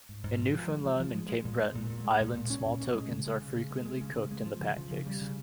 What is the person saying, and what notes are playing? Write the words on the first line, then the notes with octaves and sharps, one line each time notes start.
In Newfoundland and Cape Breton Island small tokens are frequently cooked in the pancakes.
G#2
G#2
F3
F3
G#3
F3
F3
G#3
G#3
A#2
G#3
A#2
A#2
G#3
A#2
A#2
C#4
A#2
C#4
G#3
C#3
G#3
C#3
C#3
G#3
G#3
C#3
C#3
G#3
F3
C#3
F3
C#3
G3
C#3